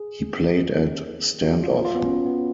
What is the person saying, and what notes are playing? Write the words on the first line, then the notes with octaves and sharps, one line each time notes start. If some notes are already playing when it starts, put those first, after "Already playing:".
He played at Stand Off.
Already playing: G#4
F#4
F4
F4
B3
C#4
B3